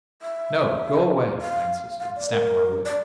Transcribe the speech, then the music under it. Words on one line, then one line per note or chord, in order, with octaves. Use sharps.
"No; go away," I insisted, and snapped my whip.
E5
F5
F5
D5
A#4
D5